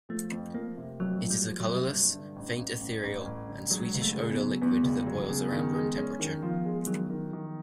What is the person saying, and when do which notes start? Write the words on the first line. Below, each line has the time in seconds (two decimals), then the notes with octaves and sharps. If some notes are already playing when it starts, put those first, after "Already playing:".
It is a colorless, faint ethereal, and sweetish-odor liquid that boils around room temperature.
0.09 F3 A3
0.32 F2
0.55 F3 A#3
0.77 C3
1.00 F2 F#3
1.23 F3
1.30 G3
1.46 F3
1.60 F#3
1.68 C3
1.90 G2 G3
2.13 D3
2.36 A1
2.59 A1
2.81 A1
3.03 A1
3.26 A1
3.48 D3
3.70 F#3 G#3
3.94 F#1
4.02 A3
4.16 C#3
4.31 B3
4.38 F#3
4.62 E2 B3
4.83 F#1
5.07 F#3
5.29 C#3
5.52 D#3
5.75 G#3
5.97 C#4
6.20 D#3
6.42 F3 F4
6.65 G#3
6.87 D#3 F#3
7.10 D#3
7.33 D#3